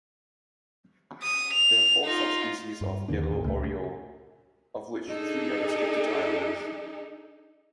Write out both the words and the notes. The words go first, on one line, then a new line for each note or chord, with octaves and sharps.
There are four subspecies of yellow oriole, of which three are restricted to islands.
D#6
F7
D#4 F4
G2
D#2 D3 A#3 D4
A1
C#2 A#2 A3
D4 D#4 G#4 A4